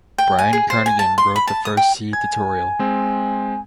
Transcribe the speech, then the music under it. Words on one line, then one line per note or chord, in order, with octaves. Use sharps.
Brian Kernighan wrote the first C tutorial.
G5
G#5
G#4
C5
G#5
A5
C6
B5
A5
D#6
G5
G#5 G#6
G#3 C4